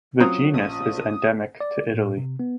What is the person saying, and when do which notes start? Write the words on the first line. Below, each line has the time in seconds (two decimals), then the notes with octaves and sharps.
The genus is endemic to Italy.
0.20 F#3 C4 C#4 F4 A#5 D#6
0.54 A#1 D#6
1.61 D5
1.94 A2
2.17 C3
2.39 B3